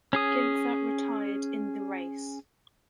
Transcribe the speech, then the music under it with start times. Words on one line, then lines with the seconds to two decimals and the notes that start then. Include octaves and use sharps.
Ginther retired in the race.
0.13 C#4 G#4 D#6